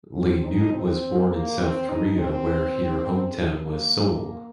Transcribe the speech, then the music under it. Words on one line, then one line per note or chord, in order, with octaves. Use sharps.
Lee Noot was born in South Korea where here hometown was Seoul.
C4
D#4
C4
A#3
C4
D#4
C4
A#3